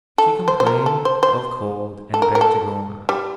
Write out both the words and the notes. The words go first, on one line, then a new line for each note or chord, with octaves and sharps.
She complained of cold, and begged to go on.
A4
C5
C5
A#4
A4
C5
C5
A4
A#4
A#4
A4
G3